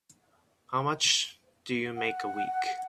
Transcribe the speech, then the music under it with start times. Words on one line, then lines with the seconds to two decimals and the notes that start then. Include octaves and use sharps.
How much do you make a week?
1.96 F#5